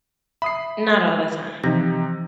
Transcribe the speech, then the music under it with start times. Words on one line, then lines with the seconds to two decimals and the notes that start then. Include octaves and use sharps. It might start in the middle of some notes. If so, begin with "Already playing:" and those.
Not all the time.
0.42 E5 B5 D#6 C7
1.64 C3 E3 F3 D#4 A#6